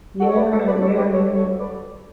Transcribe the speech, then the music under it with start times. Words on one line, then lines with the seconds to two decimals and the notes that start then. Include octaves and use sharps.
Yeah, yeah, yeah.
0.20 D3 F#4 A4
0.29 C#5
0.36 D3 B4 D5
0.52 D2 A4 C#5
0.67 D2 B4 D5
0.82 D3 A4 C#5
0.97 D2 G4 B4
1.13 D3 A4 C#5
1.29 D3
1.36 A4 C#5
1.44 D2
1.59 D3 B4 D5